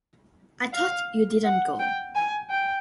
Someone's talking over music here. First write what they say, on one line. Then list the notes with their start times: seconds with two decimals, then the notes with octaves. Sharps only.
I thought you didn't go.
0.74 F5
1.44 F#5
1.79 G5
2.15 G#5
2.50 G5